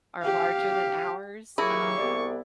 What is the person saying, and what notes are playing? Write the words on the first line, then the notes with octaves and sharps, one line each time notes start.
are larger than ours, um,
G4 F5
F#3 A#3 E4 G4 G#4 A#4 C#6
C2 B3 D5